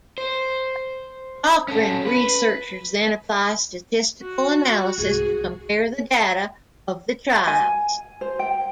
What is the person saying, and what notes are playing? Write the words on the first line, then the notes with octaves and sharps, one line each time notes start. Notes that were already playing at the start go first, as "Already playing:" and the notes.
Cochrane Researchers then apply statistical analysis to compare the data of the trials.
C5
C#4 A4
B4
F#4
C2 G#2 G#4
G#5
C5
G5